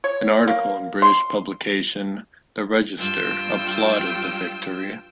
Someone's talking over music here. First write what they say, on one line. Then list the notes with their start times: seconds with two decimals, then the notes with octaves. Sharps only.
An article in British publication "The Register" applauded the victory.
0.04 C#5
0.48 A#3
1.02 C6
2.97 G2 G3 F4 G5 E6